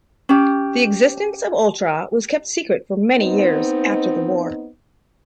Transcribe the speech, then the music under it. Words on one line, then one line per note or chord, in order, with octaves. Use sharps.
The existence of Ultra was kept secret for many years after the war.
C#4 G4
B3 C4 D#4